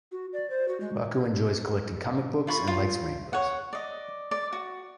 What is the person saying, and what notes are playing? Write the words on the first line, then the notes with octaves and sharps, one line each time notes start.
Rocko enjoys collecting comic books and likes rainbows.
F#4
D5
C5
F#4
G#3
F4 B5 C#6
F4
C#5 F#5
D5 D#5
D5
F#4